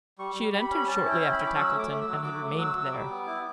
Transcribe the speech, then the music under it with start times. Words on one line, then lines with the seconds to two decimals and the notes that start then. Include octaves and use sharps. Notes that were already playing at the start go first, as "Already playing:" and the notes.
She had entered shortly after Tackleton, and had remained there.
0.18 G3 C#6
0.36 G3
0.53 G3 B5
0.70 C#4
0.87 C#4 A5
1.04 E4
1.10 G5
1.21 C#4
1.32 B5
1.39 C#4
1.46 D6
1.55 F#3 E6
1.73 A3
1.79 D6
1.90 A3
2.01 E6
2.07 F#3
2.24 F#3 D6
2.41 A3
2.58 F#3 E6
2.75 F#3
2.92 G3 D6
3.10 B3
3.27 E4